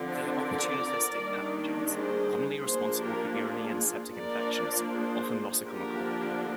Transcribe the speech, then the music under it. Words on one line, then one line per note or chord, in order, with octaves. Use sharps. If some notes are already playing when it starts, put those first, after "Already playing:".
They are opportunistic pathogens, commonly responsible for urinary and septic infections, often nosocomial.
Already playing: D3 F3 C4
A#4 D5
D#3 G3 A#3 D4
G#4 C5
F3 A#3 D4 G#4 C5
G4 A#4
F4 G#4
F3 A#3 D4 A#4 D5
G#4 C5
D3 F3 A#3 D4 G4 A#4